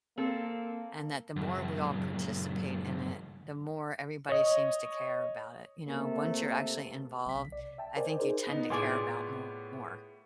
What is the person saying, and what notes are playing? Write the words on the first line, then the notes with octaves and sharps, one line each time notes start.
and that the more we all participate in it, the more everybody seems to care about it, you know? Once you're actually involved, I think you tend to care about more,
A#3 C4 A4
C#2 F#2
C#5 D#5
C3 A3 A#3
B1 C3 B6
D5
E5 G5 A5
A#4 C5 D5 D#5 G5 G#5
D#4 G#4 A#4 C5 D5
B3 D#4
A2 B3 F4 G#4 D5 D6